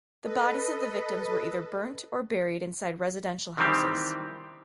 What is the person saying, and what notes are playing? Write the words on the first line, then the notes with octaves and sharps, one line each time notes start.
The bodies of the victims were either burnt or buried inside residential houses.
A4 B4 D#5
C3 D#3 E3 G3 C4 G4